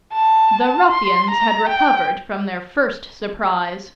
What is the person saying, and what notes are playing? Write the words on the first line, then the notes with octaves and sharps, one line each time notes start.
The ruffians had recovered from their first surprise.
A5
C6
A#5
G5